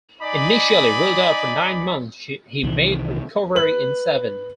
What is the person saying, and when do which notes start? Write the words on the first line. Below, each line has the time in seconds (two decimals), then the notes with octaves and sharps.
Initially ruled out for nine months, he made a recovery in seven.
0.22 D#4 D5 D#5 G#5 B5 D6
2.63 C2 C3 D#3 E3
3.55 B4 F#7